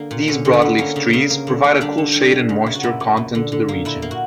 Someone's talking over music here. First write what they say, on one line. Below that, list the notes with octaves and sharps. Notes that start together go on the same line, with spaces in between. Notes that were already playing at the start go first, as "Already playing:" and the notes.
These broadleaf trees provide a cool shade and moisture content to the region.
Already playing: D3 A#3 D4
A#2
D3 C#4
D3
B3
D3
A#3 C#4
C#3
C#3
A#3
D3
A#3
G3 D4
D3
G3
G3
C#3
A#3
F#4
A#2 E4
A#2
A#2
D3
D3
A#3
A#2 E4
A#3
F#4